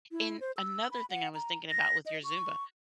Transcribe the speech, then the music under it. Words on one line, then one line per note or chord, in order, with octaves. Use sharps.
and another thing I was thinking about with your Zumba:
E4
C5
E6
B5
F#5
A#5
A#6
D#5
C#6